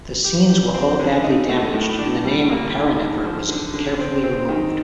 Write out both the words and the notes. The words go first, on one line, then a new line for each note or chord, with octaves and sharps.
The scenes were all badly damaged and the name of Parennefer was carefully removed.
G4
G4
C4
D3
D#4
A3
A2
D4
G3
A#3
D#3
D4
F3
D3
D3
C4
C4
D#3